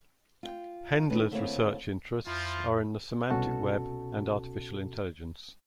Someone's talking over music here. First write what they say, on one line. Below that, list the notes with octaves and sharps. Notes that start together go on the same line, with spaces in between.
Hendler's research interests are in the semantic web and artificial intelligence.
F4 G5
D#3 A3 C#4 B4
D2 A3 A#3 C4 E4 C#5
F2 F3 E4 F4
C2 B2 C#4 F#4 A4 A5